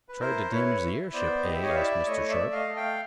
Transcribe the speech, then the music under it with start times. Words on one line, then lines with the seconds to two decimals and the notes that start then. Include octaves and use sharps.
"Tried to damage the airship, eh?" asked Mr. Sharp.
0.09 B4
0.20 E4 A#4 C5
0.51 E4 B4 C#5
0.82 E4
1.13 B3 C5 D5
1.44 G4 D#5
1.53 E5
1.62 C#5 D#5
1.70 F5
1.75 E4 D5 E5
2.06 A3 C#5 D#5
2.29 D5 E5
2.38 A3
2.52 D#5 F5
2.68 A3
2.76 F5 G5